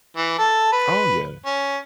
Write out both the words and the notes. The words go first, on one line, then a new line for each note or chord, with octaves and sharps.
Oh, yeah,
E3
A4
B4
C#4